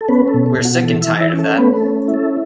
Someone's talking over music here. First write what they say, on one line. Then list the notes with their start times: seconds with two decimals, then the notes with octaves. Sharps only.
We're sick and tired of that.
0.01 A4
0.08 B3 C#4 B4
0.28 A4
0.34 B2
0.46 A4
0.59 B2
0.65 F#4
0.83 E3 A4
1.01 E4 E5
1.08 E3
1.21 E4 E5
1.33 C#4
1.39 A4
1.58 A3 B3 B4
1.73 B4
1.77 A4
1.83 C#4
2.08 E4
2.14 A4